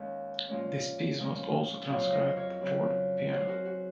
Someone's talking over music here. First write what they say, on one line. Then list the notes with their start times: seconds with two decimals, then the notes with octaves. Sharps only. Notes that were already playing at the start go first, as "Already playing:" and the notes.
This piece was also transcribed for the piano.
Already playing: D#2 D#3 G#3 C#4
0.49 A#2 F3 G#3 C#4
1.19 A#2 F3 G#3 C#4
1.89 F2 C#3 F#3 C4 C#5 F5
2.13 C5 D#5
2.26 D#5
2.37 A#4 C#5
2.60 F2 C#3 F#3 C4
3.29 G#2 F#3 C4 G#4 C5
3.48 F#4 A#4
3.65 F#4